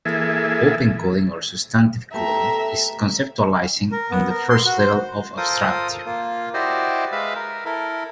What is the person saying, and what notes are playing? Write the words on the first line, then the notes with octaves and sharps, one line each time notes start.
Open coding or substantive coding is conceptualizing on the first level of abstraction.
E3 A#3 G#4 A4 E5
A3 B3 G4 E5 A#5
A#4
B3
A#4
C6
F#4
C5
F4 A4 A#4 C5 D#6
A#3 F4
E4 F#4 G4 C5 D5 D#5
G#3 B4 E5 F5
A#4
E4 A4 A#4